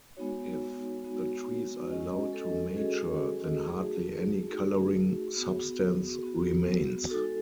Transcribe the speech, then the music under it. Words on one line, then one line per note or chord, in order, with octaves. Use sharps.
If the trees are allowed to mature then hardly any colouring substance remains.
G#3 B3 D#4 F#4 C#5
G#3 B3 D#4 F#4
G#3 C#4 F#4 D#5
A4
G#3 C#4 F#4 G#4
F#4
A3 D#4 F#4 G#4
A3 D#4 F#4
B3 F#4
B3 F#4
G#3 D#4 F#4 A4